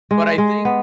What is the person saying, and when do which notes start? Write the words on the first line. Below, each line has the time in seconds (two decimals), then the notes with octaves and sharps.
But I think
0.11 G#3
0.38 G#3
0.65 B3